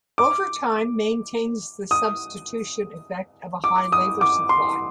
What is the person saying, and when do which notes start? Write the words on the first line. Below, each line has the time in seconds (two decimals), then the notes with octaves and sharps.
Overtime maintains the substitution effect at a high labour supply.
0.18 D6
1.91 D#6
3.64 D6
3.92 D#6
4.21 D6
4.49 C6